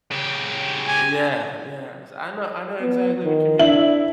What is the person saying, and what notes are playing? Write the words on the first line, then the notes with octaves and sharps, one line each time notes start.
yeah, yes, I know I know exactly what you mean,
C#3 G4
G#5
B3
D#3
D4 E4 E5 F#7